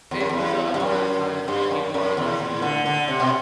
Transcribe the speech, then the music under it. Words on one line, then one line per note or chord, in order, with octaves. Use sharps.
Eh 'cause a a lot of the times, people are punching more than the bag,
E2
F#2
E2
G2
F#2
G2
F#2
F#2
E2
E2
D3
D3
C3
B2